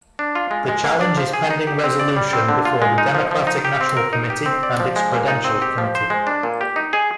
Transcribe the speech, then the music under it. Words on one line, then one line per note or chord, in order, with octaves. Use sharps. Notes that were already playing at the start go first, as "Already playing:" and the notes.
The challenge is pending resolution before the Democratic National Committee and its Credentials Committee.
D4
F4
G#3
G#3
A#3
D4
F3
G#4
D#4
G4
C4
D5
G3
C4
D3
F4
G#3
D#4
F3
F3
D#4
G4
C4
A#4
D#4
G4
C4
D5
F3
G#3
A#2
D#4
C4
G4
F3
C5
G#3
D4
A#2
G4
D#4
G#4